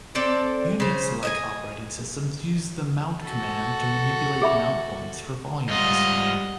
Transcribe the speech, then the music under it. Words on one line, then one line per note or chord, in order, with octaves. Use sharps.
Unix-like operating systems use the mount command to manipulate mount points for volumes.
C4 D4 A4 D5
C#3 C5
D#5 E5 G#5
F#4 A4
G#4 E5 B5
G#2 G3 F4 D#5 F#5